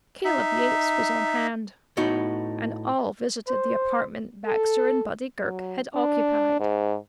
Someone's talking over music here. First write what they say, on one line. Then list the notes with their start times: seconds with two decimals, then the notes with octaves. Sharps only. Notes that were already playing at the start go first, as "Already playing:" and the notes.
Caleb Yates was on hand, and all visited the apartment Baxter and Buddy Girk had occupied.
0.25 D#4 E5
1.97 A2 B3 D#4 F#4
3.47 C5
4.46 A4
5.41 F#3
5.94 D4
6.60 G#2